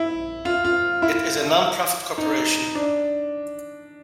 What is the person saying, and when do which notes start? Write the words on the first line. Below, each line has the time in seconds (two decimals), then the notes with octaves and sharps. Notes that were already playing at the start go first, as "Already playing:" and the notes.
It is a non-profit corporation.
Already playing: E4
0.45 F4
0.64 F4
1.02 E4
2.18 D#4
2.75 D4